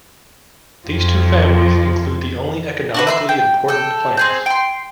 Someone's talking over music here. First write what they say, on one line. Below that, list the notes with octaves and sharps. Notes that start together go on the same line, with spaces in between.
These two families include the only economically important plants.
F2 F3
D4 F#4 B4
E5 B5 C6
G5
A4 G5
C4 G#4 G6
G5 C6